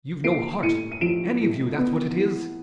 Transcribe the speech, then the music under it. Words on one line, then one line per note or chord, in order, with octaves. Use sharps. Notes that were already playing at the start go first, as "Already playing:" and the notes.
You've no heart, any of you--that's what it is?
A#3 C7 D7
A2 C#7 D#7
D#7
F3 D7 E7
A2
B3
E3